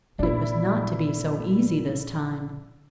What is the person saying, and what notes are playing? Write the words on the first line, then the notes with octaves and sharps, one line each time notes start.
But it was not to be so easy this time.
A#1 B3 D4 E4